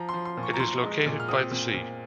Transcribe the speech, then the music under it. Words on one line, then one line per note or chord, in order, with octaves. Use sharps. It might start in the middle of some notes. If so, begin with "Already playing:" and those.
It is located by the sea.
Already playing: F3 A#5
C6
F3
C6
A#2
C#6
A#5
A#2 C6
G#3
A#2
F6
C4 D#6
A#2
A#2